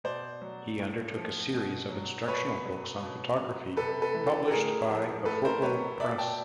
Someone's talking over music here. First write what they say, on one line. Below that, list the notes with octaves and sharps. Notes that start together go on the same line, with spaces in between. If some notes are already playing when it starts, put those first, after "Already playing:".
He undertook a series of instructional books on photography, published by the Focal Press.
B2 C5 D5
F#3
A2
F3
B2
F#3
B2 B4 C#5
F#3
B2
F#3
C3 A4 B4
A4 B4
E3
G4 A4
A4
A2 G#4 A#4
F3
A2 A4 B4
A#4 C5
F#3 B4 C#5
B2 D5 E5
G5 A5